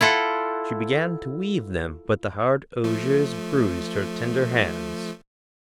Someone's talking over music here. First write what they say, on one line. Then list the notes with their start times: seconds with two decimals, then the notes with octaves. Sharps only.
She began to weave them, but the hard osiers bruised her tender hands.
0.01 E4 F4 A4 F#5
2.84 F3 A3